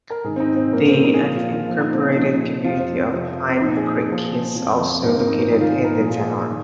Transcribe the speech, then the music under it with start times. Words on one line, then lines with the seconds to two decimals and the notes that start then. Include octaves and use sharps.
The unincorporated community of Pine Creek is also located in the town.
0.10 A#4
0.24 G#2 D#3 G#4
0.36 C4
0.40 D#4
0.56 C4
0.72 A#2 F3 A#3
0.88 C4
1.04 D#4
1.14 G#4
1.20 A#2 F3 F4
1.37 F4
1.53 F4
1.68 A#2 F3 F4
1.81 D#4
1.93 C4
2.05 D#4
2.16 A#2 F3
2.64 F2 F3 F4
2.80 C4
2.97 C4
3.12 F2 C3 F3 C4
3.49 C4
3.60 A#2 F3 D#4
3.77 G#4
4.08 A#2 F3 G#4
4.56 F2 F3
5.04 G#2 F3 A#3
5.16 C4
5.28 D#4
5.40 C4
5.52 G#2 D#3 D#4
5.61 F4
5.69 G#4
5.85 A#4
6.00 A#2 F3 G#4
6.10 F4
6.19 G#4
6.48 D#3